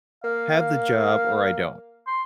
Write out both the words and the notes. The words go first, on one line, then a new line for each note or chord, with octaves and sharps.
have the job or I don't.
A#3 F5
C6